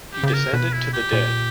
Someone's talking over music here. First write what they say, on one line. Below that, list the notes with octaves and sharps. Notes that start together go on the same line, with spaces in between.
He descended to the dead.
G4
C#3 G4
A#4
B2 B4
E4
G4
A#2